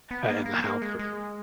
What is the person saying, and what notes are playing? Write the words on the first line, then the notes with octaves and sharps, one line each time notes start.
uh, in the house
B3
A#3
A#3
A#3
G#3
G#3